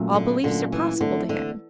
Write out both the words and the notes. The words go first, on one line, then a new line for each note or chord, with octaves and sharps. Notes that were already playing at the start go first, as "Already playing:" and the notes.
All beliefs are possible to him.
Already playing: A#2 F#3 A3 C#4
D3
A#2 D3 F#3 A3 C#4
E3
D3 E3 A3 C4
D3